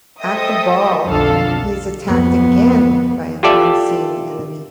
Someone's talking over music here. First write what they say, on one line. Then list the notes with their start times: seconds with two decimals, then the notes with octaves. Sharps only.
At the ball, he is attacked again by an unseen enemy.
0.20 A4 C5 D#5 E5 G5 D#6
1.07 B1 F2 D3 D4 A4 F5
2.06 F2 B3
3.43 F4 G4 A4 D5 E5